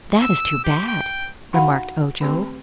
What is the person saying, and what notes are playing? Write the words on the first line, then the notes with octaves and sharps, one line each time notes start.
"That is too bad," remarked Ojo.
E6
G4
G5
D#4 F#4 F5 F#5 A#5 B5
D#3 A3 C4 G4 C6